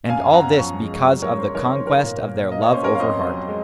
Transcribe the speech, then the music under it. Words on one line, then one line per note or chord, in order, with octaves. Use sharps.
And all this because of the conquest of their love over hearts.
F#2 F5 G#5
F#2 F#5 A#5
F3 A#5 C#6
G#3
F#3
A#4 C#5
C#3
C5
D#3 A#4 C#5
C5
D#3
A#4
A#2
A#3
A#3 D#5
C#5
C#4 C5
A#4 C#5
F5
F2 C5 D#5
F#3
G#3